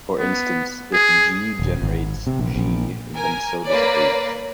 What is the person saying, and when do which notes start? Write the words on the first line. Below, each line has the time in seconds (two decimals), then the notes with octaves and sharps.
For instance, if "g" generates "G", then so does "h".
0.19 B3
0.93 G#4
1.59 D#1
1.82 G#1
2.27 C3
2.39 A#1
2.56 A#1
3.13 A#4 G#5
3.67 A#3 B4 C#5 D5